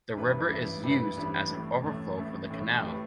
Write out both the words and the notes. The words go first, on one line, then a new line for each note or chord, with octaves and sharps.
The river is used as an overflow for the canal.
A1 G2 G3 E4 B4
A1 G2 G3 E4 B4
A1 G2 G3 E4 B4
A1 G2 G3 E4 B4
A1 A2 A3
A1 A2 A3
A1 A2 A3
A1 A2 A3
A2 A3 G4 B4